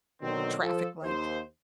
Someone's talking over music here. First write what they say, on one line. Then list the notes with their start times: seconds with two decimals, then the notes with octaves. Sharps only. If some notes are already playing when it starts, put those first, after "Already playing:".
traffic light?
0.21 B2 D3 D#3 F#3 C4
0.61 F3 A4
1.03 D#2 C5